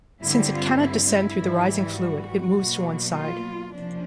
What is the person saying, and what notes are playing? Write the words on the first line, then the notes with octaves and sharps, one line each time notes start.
Since it cannot descend through the rising fluid, it moves to one side.
G2 D3 G3 C4 E4
F4
E4
E4
G#2 E3 G3
F#4
B2 F#3 A#3
F4
C3 F3 A#3 C#4 D4